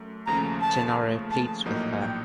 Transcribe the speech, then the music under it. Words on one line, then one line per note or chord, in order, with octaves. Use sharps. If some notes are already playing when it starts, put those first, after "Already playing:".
Gennaro pleads with her.
Already playing: F#2 A3
D#2 C#3 F3 A3 C#4 A#5
A5
A5
A#1 A2 F#3 A#3 D#4
G5